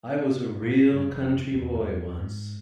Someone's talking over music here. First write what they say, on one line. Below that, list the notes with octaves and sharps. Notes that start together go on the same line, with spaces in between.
I was a real country boy, once.
A#2
G2
F1
C4
E2
E2
G#2